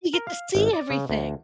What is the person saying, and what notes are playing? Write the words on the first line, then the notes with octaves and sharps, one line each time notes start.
You get to see everything.
A#4
F5
G#1
D5
C#3
D2